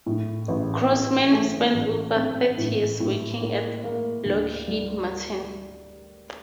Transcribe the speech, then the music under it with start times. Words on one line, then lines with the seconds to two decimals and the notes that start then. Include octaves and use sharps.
Crossman spent over thirty years working at Lockheed Martin.
0.06 A2
0.48 A1
0.90 C4
1.32 A3
1.74 A1
2.16 C4
2.58 A2
3.00 A2
3.42 A#3
3.84 A#3
4.26 D2
4.68 G3